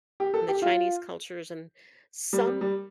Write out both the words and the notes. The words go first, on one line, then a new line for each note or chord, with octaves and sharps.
and the Chinese cultures and some,
G4
A4
G4
F4
G3
G3
G3